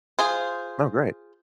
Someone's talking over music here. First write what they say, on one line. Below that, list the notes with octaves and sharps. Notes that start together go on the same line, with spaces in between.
Oh, great.
F4 G#4 C5